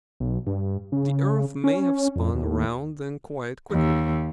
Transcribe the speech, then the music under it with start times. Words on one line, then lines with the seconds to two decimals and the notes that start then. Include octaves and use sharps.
The earth may have spun round then quite quickly.
0.20 B1
0.47 G2
0.92 C#3
1.64 C#4
2.16 F2
2.34 D#2
3.71 D#2